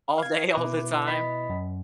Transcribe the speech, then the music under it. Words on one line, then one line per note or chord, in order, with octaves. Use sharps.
all day, all the time?
F5 G#6
B2 E4 B4 D6
D#5 B5 B6
F#2